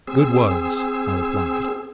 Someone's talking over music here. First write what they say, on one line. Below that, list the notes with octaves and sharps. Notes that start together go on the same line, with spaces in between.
'Good words,' I replied.
C4 G#4 E6